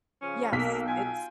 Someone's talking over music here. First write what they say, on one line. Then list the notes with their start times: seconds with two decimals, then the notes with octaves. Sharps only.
Yes, it's
0.21 C#3 F3 C#4
0.52 B1 A#3 B6
0.86 F4 G5 G#5